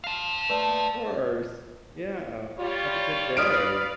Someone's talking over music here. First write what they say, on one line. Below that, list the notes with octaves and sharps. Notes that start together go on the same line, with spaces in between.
Of course. Yeah, have a good day.
F5 A5
A3 B4 D5
G3 F4 C#5
B4 D5 F5 D#6 F6 D7